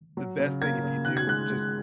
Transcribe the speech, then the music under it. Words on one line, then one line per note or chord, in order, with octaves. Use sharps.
the best thing if you do just
F#3
C#3
A#3 G#6
C#3
D#3 F#6
G#6
G#3 F#6
G#3